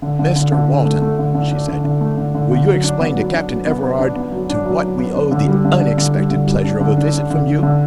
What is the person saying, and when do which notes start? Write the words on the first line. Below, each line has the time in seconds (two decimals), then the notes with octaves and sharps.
"Mr Walton," she said, "will you explain to Captain Everard to what we owe the UNEXPECTED pleasure of a visit from you?"
0.02 D3
0.19 D3
0.36 D3
0.52 D3
0.68 D3
0.85 A3
1.02 A3
1.19 D3
1.34 D3
1.51 D4
1.68 D3
1.84 D3
2.01 A3
2.17 D3
2.34 D3
2.51 D3
2.67 F#3
2.84 D4
3.00 B3
3.17 F#3
3.33 D4
3.50 F#3
3.67 B3
3.83 B3
3.99 D4
4.16 B3
4.32 F#3
4.49 D4
4.66 F#3
4.82 F#3
4.99 B3
5.15 D4
5.31 D3
5.48 G3
5.65 D3
5.81 D4
5.97 D3
6.15 G3
6.31 D3
6.47 G3
6.64 D4
6.81 D3
6.97 D4
7.13 D4
7.30 D3
7.47 D3
7.63 D3